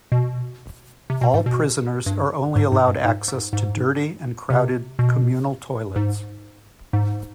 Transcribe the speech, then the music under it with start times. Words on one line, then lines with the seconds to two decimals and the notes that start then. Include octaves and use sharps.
All prisoners are only allowed access to dirty and crowded communal toilets.
0.12 B2
1.10 C3
1.21 B2
1.34 G#2
1.46 B2
2.06 G2
2.56 G#2
2.72 G#2
2.88 G2
3.05 G#2
3.28 G#2
3.53 G#2
4.50 C3
4.99 B2
5.96 G#2
6.93 G#2